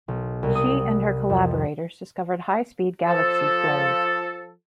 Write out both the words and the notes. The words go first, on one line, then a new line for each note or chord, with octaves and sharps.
She and her collaborators discovered high-speed galaxy flows.
B1
C2
D#6
F2
F3 A4